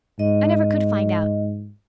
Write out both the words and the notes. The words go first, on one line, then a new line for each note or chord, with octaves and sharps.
I never could find out.
G#2 D#5